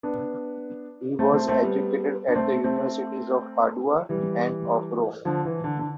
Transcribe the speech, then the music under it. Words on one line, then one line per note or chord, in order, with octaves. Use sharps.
He was educated at the Universities of Padua and of Rome.
B3 D4
A3 C4
A3 C4
A3 C4
G3 B3
D4
A3 C4
A3 C4
E3 G3
D3 F3
E3
D3
D3